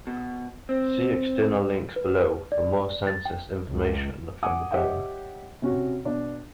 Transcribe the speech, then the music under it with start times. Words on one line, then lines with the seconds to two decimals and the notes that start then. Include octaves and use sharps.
See external links below for more census information from the borough.
0.07 B2
0.69 C4
1.96 B4
2.52 D5
3.07 A6
3.25 G5
3.68 C#2
4.43 F#5 G#5 D6 D#6
4.71 G4 C#5 D#5 E5 F#5 G5
5.62 C3 C#4 F#4
6.05 B2 D4 D5